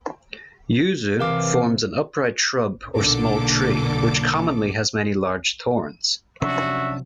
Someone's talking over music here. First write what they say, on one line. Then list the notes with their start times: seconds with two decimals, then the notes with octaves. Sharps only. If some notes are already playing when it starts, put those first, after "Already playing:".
Yuzu forms an upright shrub or small tree, which commonly has many large thorns.
1.19 C3 E3 A#4 F5 D6
2.97 B1 A#2 D3 A#3 A4 D6
6.42 C3 F3 F#3 C#4 D4 F#4 E5